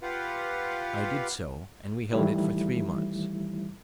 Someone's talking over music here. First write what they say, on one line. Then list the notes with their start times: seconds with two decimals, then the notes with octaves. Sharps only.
I did so, and we held it for three months.
0.02 F4 G4 B4 F5 F#5
2.13 D#3 E3 G3 A3 E4